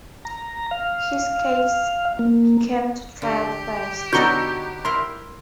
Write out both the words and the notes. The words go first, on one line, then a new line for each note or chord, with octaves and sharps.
His case came to trial first.
A#5
F5
A#3
D3 G4
B2 D3 F#3 D#4 A4 A#5 C#6 G6
E4 A#4 C6